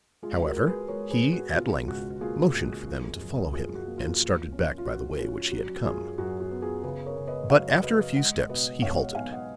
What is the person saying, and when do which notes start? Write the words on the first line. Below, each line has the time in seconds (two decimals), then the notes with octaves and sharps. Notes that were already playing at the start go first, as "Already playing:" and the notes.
However, he at length motioned for them to follow him, and started back by the way which he had come. But after a few steps he halted.
0.22 G#3 F4 G#4
0.45 F#4 A#4
0.56 G#3
0.67 G#4 B4
0.88 G#3 A#4 C#5
1.10 G#4 B4
1.22 G#3
1.33 F#4
1.55 B2 F4
1.88 C#2 F#4
2.21 A#3 F4 G#4
2.55 C#2
2.87 F3
3.20 F#2
3.53 F#2 F4 G#4
3.75 F#4
3.87 A#3
3.98 F4
4.20 F3
4.52 C#4
4.78 F4
4.85 F3 F#4
5.18 C#4 F4
5.51 F#3 F#4
5.84 F#2 F4 G#4
6.18 F#2 F#4
6.40 F#4
6.51 B3
6.62 F4 G#4
6.84 C#3 G#4 B4
7.06 A#4 C#5
7.16 C#3
7.27 B4 D#5
7.50 F#3 C#5 F5
7.83 F#3 B4 D#5
8.16 G#3 D#5 F#5
8.49 B2 B4 D#5
8.82 B2 C#5 F5
8.98 D#5 F#5
9.15 B1 F5 G#5
9.32 D#5 F#5